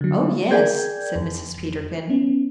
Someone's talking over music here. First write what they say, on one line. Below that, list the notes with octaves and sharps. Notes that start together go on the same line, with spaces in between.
"Oh, yes," said Mrs. Peterkin.
D3 F#3
G#4 A#4 D5 G5 G6 G#6
F2
B3 C#4